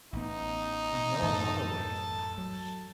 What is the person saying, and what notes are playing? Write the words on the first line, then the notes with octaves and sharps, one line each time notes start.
I know another way to the house.
A1 B3 D#4
F#2 A2 E3 A4 A5
F#3